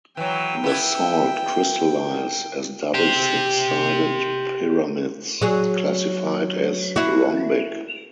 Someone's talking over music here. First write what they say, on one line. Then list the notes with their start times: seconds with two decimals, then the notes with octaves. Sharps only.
The salt crystallize as double six-sided pyramids, classified as rhombic.
0.17 E3 F#3 G5
0.64 B3 E4
2.94 G4 C5
5.41 F#3 G#4
6.96 E4 F#4